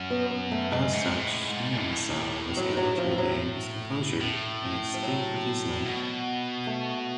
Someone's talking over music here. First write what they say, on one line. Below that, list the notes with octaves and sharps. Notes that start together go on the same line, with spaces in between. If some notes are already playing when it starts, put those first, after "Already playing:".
As such, Naomasa was able to regain his composure and escape with his life.
Already playing: F#2
B3
B3
A3
G#3
G#2
A2
G#2
A2
F#3
F#3
F3
F#3
A2
F3
F#3
B2
A3